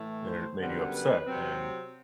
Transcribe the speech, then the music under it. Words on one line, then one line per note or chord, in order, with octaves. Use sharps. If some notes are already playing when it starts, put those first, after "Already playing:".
and it made you upset and
Already playing: A2 E3 A3
C5
F#2 D3 G3 B3 C5
B4
C3 F#3 C4